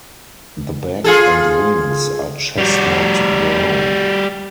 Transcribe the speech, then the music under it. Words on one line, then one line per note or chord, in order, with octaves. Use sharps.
The back and wings are chestnut brown.
F4 G#4 A4
G3 F#4